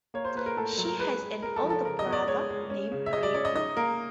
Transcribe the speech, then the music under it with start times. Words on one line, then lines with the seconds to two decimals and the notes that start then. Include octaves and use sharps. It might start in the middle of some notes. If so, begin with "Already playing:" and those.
She has an older brother named Riku.
0.14 A#3 C#5
0.25 C5
0.35 A#3 B4
0.46 A#4
0.57 A2 A4
0.71 A#4
0.78 F#3
0.85 A#4
0.99 G#3 B4
1.20 G#3
1.42 G#3 A#4
1.56 A4
1.63 F3
1.70 A4
1.84 C#3 A#4
1.99 D#5
2.06 B3
2.12 D5
2.27 G#3 C#5
2.49 G#3
2.70 C#4
2.92 C#3
3.06 E5
3.13 C#3 D#5
3.23 D5
3.34 C#4 D5
3.45 D#5
3.56 D#4 D#5
3.77 A#3 A#4